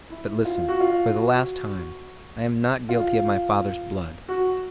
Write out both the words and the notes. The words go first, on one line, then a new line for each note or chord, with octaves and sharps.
But listen, for the last time, I am not guilty of my father's blood.
E4
F4
F#4
F4
F#4
F4
F#4